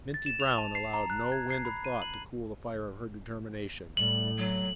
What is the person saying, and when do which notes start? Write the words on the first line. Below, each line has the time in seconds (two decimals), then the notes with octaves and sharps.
Minty Brown allowed no wind of thought to cool the fire of her determination.
0.14 A6
0.26 E7
0.40 F7
0.58 A5
0.75 C7
0.94 A#5
1.10 F#6
1.32 G#6
1.50 C7
1.65 B5
1.85 D#7
2.02 F#7
3.97 A2 G3 F#7
4.37 F#3